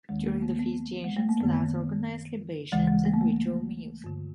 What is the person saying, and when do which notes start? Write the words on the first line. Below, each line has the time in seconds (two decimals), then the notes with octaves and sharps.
During the feast the ancient Slavs organized libations and ritual meals.
0.09 D#2 D#3 G#3
0.20 A#3
0.26 A3
0.42 A#3
0.59 B3
1.04 G#3
1.17 A3
1.29 A#3
1.40 F#2 D#3 B3
2.72 D2 C#3 E3 G#3
2.87 G#3
3.05 A3
3.14 A#3
3.21 A3
4.04 G2 D3